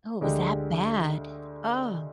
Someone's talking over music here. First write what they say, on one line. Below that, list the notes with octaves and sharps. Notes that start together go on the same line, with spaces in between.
Oh, it was that bad? Oh.
D2 D3 G#3 D4 G4